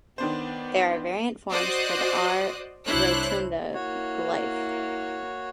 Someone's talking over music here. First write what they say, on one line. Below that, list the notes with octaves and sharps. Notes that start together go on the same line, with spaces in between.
There are variant forms for the "r rotunda" glyph.
D#3 B3 D4 C5
F#4 C5 D5 D#5 D#6 F#6
C2 D4 E4 C5 C#5 F#6
A#3 E4 F#4 C#5